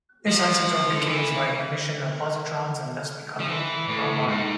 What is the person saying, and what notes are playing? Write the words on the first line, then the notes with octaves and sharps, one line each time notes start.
This isotope decays by the emission of positrons and thus becoming bromine.
F3
D3
E3
F3
E3
A2
G#2